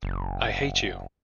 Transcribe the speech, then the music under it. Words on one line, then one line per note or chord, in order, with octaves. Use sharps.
I hate you!
F#1